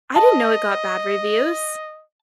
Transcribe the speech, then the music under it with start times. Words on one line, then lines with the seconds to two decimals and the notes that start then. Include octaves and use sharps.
I didn't know it got bad reviews.
0.16 D#5 A5